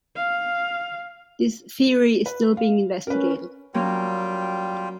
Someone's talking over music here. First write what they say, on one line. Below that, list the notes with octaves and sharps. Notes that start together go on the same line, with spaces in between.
This theory is still being investigated.
F5
B4
F5
C#4 A#4 B4
F#3 G3 A#3 C#4 F4 G5